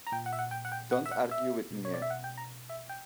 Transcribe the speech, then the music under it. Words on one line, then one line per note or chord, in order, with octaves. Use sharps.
Don't argue with me here.
A#5
A#2 G5
F#5
E5
F#5
G5
F#5
G5
F#5
E5
F#5
E5
B2
C#5
D5
E5
F#5
G5
A#5
E5
G5